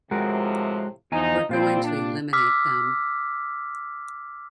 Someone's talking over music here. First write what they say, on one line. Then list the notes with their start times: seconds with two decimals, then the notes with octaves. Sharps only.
We're going to eliminate them.
0.11 A2 C3 F3 G#3 F#4 A#4
1.12 E2 F3 D#4 G#5 A#5
1.49 A#2 G3 C4 F4 G5
1.83 D4
2.33 D6 E6 F6 B6